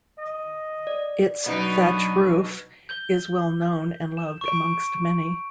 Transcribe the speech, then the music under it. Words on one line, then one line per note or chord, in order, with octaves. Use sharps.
Its Thatch Roof is well known and loved amongst many.
D#5
D5
B2 F#3 B3 D4 D#4
G6 G7
E7
C#6 D7